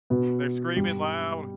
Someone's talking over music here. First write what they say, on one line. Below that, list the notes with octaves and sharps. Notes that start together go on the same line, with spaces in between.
They're screaming loud.
B2 B3
G2 G3